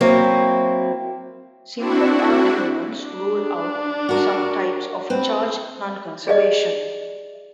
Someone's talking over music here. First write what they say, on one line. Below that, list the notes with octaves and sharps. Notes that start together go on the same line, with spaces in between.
Simple arguments rule out some types of charge nonconservation.
F#3 A#3 C4 E4
C4 D4 E4 F#4
D4
F#4 A#4
C4 B4
G#4 D5 D#5